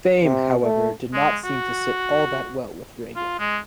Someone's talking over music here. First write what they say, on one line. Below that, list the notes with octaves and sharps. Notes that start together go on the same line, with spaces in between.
Fame, however, did not seem to sit all that well with Regan.
C3
A3
G#3
F#4
F4
G#3